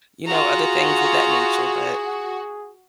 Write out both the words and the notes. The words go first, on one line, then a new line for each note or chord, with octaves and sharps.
you know, other things of that nature, but
F4 F#4 G#4 A#5